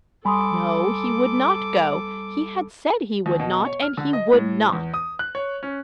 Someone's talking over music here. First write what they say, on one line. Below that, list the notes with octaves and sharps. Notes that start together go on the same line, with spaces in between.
No, he would not go; he had said he would not, and he would not.
C2 G3 A4 G#5 B5 C6 D6 D#6
D#2
B2
C#5
F6
D3
D#5
A2
E2
D#6
F#6
C#5
C#4